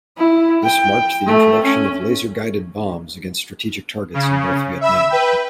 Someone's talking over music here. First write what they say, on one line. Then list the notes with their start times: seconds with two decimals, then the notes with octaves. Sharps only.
This marked the introduction of laser-guided bombs against strategic targets in North Vietnam.
0.17 E4
0.63 G5
1.26 A3
1.64 C#4
4.14 C#3
4.81 E5 B5 E6
5.10 B4 G5